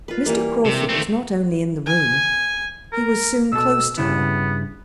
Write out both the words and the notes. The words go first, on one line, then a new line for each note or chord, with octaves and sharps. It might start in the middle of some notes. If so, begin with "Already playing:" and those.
Mr. Crawford was not only in the room--he was soon close to her.
F4 B4
E3 G3 A#3
C3
A3 C4
G#5
A#4
B2 A4 E6
G2 C#3 B3 E4